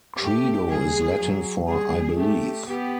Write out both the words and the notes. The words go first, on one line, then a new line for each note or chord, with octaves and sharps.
Credo is Latin for I believe.
A3 G4
G3 G#4
F#3
G3 G#4
A3 G4
B3 G4